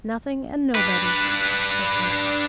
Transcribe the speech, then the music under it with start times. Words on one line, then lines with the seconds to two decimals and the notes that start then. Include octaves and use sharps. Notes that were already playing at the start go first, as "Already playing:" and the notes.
"Nothing and nobody!" I said.
0.75 D4 B4